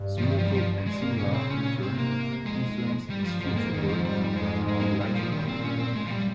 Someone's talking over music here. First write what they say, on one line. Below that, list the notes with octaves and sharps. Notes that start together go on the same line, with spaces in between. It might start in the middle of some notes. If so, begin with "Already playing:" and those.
Smalltalk and Simula, in turn, influenced his future work on the Actor model.
Already playing: G2
F3
D#3
F3
G3
F3
G2 G#3
A#3
A#2 C#3 C#4
C4
A#2 C#3 C#4
G#2 C3 C4
A#3
F2 G#2 G#3
F2
G2 G3
F3
F2 G#2 F3
A#3
F2 G#2 D#3
F3
G3
G3
F2 G#2 G#3
G#3
A#3
G#3
G2 A#2 G3
F3
D#3
C4
C#4
C4
A#2 C#3 G#3
F3
G3